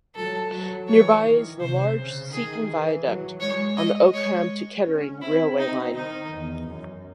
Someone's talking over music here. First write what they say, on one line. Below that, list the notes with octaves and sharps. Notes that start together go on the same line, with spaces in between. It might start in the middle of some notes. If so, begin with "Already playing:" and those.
Nearby is the large Seaton Viaduct, on the Oakham to Kettering railway line.
F#3 A4
F#3
E3 C#5
D#3
C3 C5
C#3
D#3 G#4
E3
F#3
G#3 C#5
G#3 D#5
C#5
C#4
C4 E4
D#4
D#3 D#4
E2
F#2